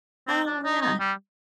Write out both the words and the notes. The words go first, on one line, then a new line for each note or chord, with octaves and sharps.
Oh, yeah.
C4
D4
D#4
D#4
G3